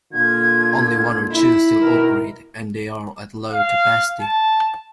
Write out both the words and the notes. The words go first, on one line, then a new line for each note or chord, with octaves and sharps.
Only one or two still operate and they are at low capacity.
A#2 D3 F4 G#6
E4
B2 D#3 A#4
F5
A5